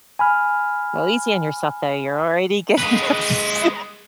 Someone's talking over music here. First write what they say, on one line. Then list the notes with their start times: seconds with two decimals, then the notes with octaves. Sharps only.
Go easy on yourself, though, you're already getting up s
0.19 G#5 B5 F6
2.78 G#3 B4